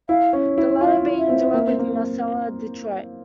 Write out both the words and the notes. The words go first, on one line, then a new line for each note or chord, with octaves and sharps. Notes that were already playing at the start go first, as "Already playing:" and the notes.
The latter being a duet with Marcella Detroit.
E4 F5
C#4
E4
F4 F5
E4
E5
C4
A#3
C4
A#3